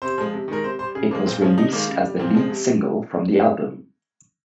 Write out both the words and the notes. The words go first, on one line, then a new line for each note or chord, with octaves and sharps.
It was released as the lead single from the album.
C3 C5
F3 G#3
C3
D#3 G#3 A#4
C3 C5
G3 C5
C#3 G#4
F3 G#3 A#3
A#2 C4
F3 G#3 C#4
C3 D#4
D#3 G#3 A#3
C#3
G3
A#2 C4
F3 G#3
C3